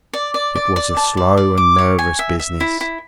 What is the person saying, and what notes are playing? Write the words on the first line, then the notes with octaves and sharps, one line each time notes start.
It was a slow and nervous business.
D5
D5
D5
D5
A5
D5
D5
D6
C#5
G#5
E5
E5
E4
E4